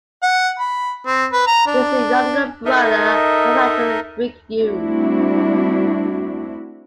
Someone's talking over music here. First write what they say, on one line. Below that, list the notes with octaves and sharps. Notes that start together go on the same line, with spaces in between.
He is the younger brother of actor Rick Yune.
F#5
B5
C4
B4
A#5
D4
D#4 A4 A#4 D#5 E5
G3 A3 C4 D4 E4 F#4